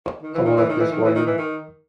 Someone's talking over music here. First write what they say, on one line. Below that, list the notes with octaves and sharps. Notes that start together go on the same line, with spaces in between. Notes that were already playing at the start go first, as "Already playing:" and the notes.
A worthless volume!
D#3
E3
D#3
E3
D#3
E3
D#3
E3
D#3
E3
D#3